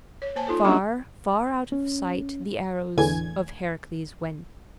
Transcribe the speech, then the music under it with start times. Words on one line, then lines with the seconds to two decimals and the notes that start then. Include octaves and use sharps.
Far, far out of sight the arrows of Heracles went.
0.22 C#5
0.36 A#3 C5 G#5 A5
0.47 D#4 F4 A4 C5
0.65 G3 A#3 C#4 D4 G4 D#5
1.72 C#4
2.97 E2 A2 D3 E3 G#5 G#6